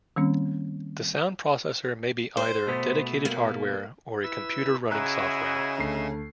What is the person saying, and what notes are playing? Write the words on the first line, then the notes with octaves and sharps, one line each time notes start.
The sound processor may be either dedicated hardware, or a computer running software.
D#3 G3 A#3 C4 C#4
C5
B2 A3 B3
A#3
E4 B4 E6
C#3 E4 F#4 G#4 D#5 E5 A#5 F#6
D2 A3 C7